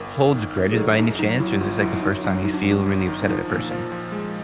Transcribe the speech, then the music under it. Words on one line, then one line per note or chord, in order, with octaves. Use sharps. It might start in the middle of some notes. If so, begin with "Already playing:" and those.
holds grudges by any chance, or is this, like, the first time you feel really upset at a person?
Already playing: G1 A#4
G1
D#3
F#3
G#4
D#3 A4
D4
F#2 D#4
F#3 D#4
G1 E4
G1 F4
F#2 E4
F#3 D#4
F#2 D4
F#3 D#4
D4
G1 C#4
D4
G1
D#3
D4
F3 D#4
A#2
F3
F3
G#3